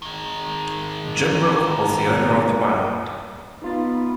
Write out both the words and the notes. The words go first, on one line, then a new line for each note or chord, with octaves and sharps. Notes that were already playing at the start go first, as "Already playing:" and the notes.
Jim Rook was the owner of the bar.
D#3 G#3
B3 D#4 F4 A6